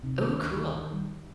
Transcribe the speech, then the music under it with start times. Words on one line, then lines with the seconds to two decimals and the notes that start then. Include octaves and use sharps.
Ooh, cool.
0.03 C3 D#4
0.21 D#3
0.39 D2
0.56 D#3
0.75 D#3
0.93 G3